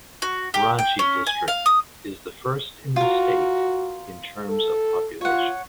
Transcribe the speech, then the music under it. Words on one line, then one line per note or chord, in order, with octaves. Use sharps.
Ranchi district is the first in the state in terms of population.
F#4
G4
G5
C#4
G#5
F5
D#6
F4 F#4 A#4
A4
F4 C#5 F#5